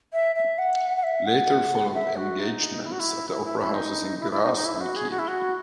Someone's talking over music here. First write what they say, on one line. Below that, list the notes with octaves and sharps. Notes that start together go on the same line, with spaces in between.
Later followed engagements at the opera houses in Graz and Kiel.
E5
E5
F#5
F#5
E5
F#5
E5
F#4
D#4
E4
F#4
E4
E4
E4
E4
D#4
E4
E4
D#4
D#4
E4
F#4
G#4
F#4
E4
F#4